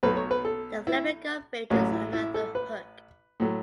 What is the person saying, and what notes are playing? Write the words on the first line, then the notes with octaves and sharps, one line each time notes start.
The flamenco bit is another hook.
B1 B2 F#3 A3 B4
C#5
B4
A4
E4
A1 A2 F#3 C#4
E4
E4
A4
B4
A2 F#3 A3